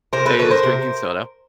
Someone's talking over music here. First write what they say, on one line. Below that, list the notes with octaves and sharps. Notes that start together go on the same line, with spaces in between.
is drinking soda.
C3 A#4 C5
A4 B4
D#3 F#3 A4 B4
A#4 C5
C3